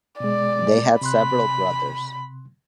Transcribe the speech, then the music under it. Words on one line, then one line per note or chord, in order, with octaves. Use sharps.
They had several brothers.
B2 G#3 D5
C3 B5 C6 F#6